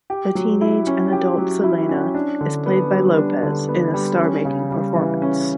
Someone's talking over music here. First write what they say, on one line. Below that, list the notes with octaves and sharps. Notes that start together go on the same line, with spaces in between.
The teenage and adult Selena is played by Lopez in a star-making performance.
G4
F#3
E4
C#4
G4
F#3
E4
C#4
D4
D3
B3
G3
D4
D3
B3
G3
C#4
C#3
G3
E3
C#4